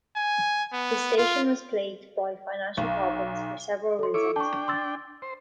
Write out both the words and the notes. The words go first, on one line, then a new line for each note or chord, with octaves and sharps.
The station was plagued by financial problems for several reasons.
G#5
B3
F4
B1
A4 C6
E4 A4 C#5 D6
D4 G5 A5 C#6
C6 E6 A6
C5